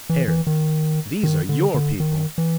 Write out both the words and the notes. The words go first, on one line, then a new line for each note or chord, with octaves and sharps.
"Harry, these are your people."
E3
E3
D#3
D#3
D3
D3
D#3
E3